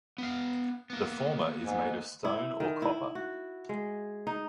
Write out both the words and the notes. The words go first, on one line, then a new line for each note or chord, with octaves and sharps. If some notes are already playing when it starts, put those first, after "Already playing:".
The former is made of stone or copper.
B3 F5
A#3 B3
G#2
E4
D#3
E4
F#4
G#3
D#4